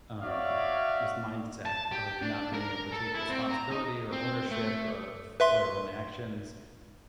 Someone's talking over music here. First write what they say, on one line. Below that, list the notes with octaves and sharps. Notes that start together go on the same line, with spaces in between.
um, this mindset of not being able to take responsibility or ownership of their own actions,
F#4 C#5 D5 E5 F5
A5
G4
D4
A#4
A4
E4
C4
A#5
D#4
C4
A3
B4 E5 C6